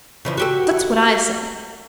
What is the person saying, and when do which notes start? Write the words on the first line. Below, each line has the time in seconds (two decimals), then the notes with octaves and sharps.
That's what I said.
0.25 C#3 E3 F3
0.37 F#4 G4 A4